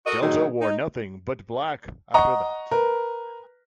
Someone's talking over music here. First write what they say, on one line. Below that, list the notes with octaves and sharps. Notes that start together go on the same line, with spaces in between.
Delta wore nothing but black after that.
F#4 A4 A#4 D#5
A#2 D#3 F#3 D#4 G#4
D#4
D#5 F#5 A#5 C#6
A#4 B4